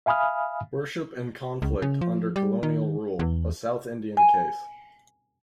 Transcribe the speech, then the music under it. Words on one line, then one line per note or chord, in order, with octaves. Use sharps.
Worship and Conflict Under Colonial Rule: A South Indian Case.
E5 F5 G#5 B5 D#6 F6
C#2
C#3
F3
G3
D#3
E2
G#5